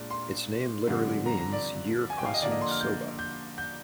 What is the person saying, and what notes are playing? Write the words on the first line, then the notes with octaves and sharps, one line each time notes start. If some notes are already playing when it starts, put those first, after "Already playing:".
Its name literally means year-crossing soba.
Already playing: A#2 G#3 D4
C6
G2 D3 F3 C4
A#5
A#5
D5
G#5
G5
F5
D#5
D3 F3 A#3 D4 D5
D#5
C6
F6
G6
G6
G6